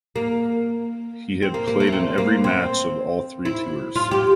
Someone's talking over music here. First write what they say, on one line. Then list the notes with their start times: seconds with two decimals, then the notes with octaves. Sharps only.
He had played in every match of all three tours.
0.16 A#3
1.43 C4
1.54 A#3
1.67 A#3
1.80 A3
1.87 A#3
1.92 C4
2.18 A#3
2.44 C4
3.45 E4
3.96 F4
4.11 G4